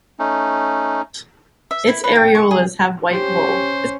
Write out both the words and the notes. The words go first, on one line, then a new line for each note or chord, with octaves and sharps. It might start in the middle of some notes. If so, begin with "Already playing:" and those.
Its areolas have white wool.
A3 C#4 D#4
E5
E4
B4
G5
C#6
G#4
C#4 G4 C5